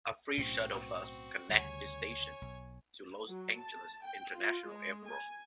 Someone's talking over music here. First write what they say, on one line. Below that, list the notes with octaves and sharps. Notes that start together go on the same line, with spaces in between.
A free shuttle bus connects this station to Los Angeles International Airport.
B1 A2 C4 C#4 F#4
D2 C#3 G3 C#5 G#5
B1
F#3
A5
G5
F4
G#3
G#5